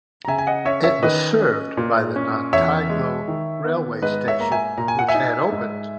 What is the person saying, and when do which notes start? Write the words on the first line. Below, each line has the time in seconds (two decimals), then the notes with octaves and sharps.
It was served by the Nantyglo railway station which had opened.
0.25 A#5
0.28 C#3 E5 G#5
0.38 G#5
0.47 D#5 F#5
0.65 C#4 C#5 E5
0.84 C#5 E5
1.03 D#3 B4 D#5
1.40 C#4
1.77 A#2
2.16 C#4
2.53 E2 C#5 E5
2.90 G#3
3.28 D#3
3.65 B3
4.02 G#2 B4 D#5
4.28 C#5 E5
4.39 A#3 A#5
4.52 E5 G#5
4.78 A#2 A#5
4.88 G#5
4.99 F#5
5.08 E5 G#5
5.15 D#4
5.52 G#2